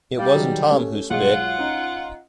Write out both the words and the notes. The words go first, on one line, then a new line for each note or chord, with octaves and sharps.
It wasn't Tom who spit.
G3 F5
D#3 F#3 G#4
A3 C#4 G4
B1 G#3 F4 F#5
C#4 D#4